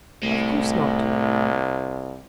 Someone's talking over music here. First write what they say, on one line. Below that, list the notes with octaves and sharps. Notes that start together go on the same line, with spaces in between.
"Of course not."
C2 A2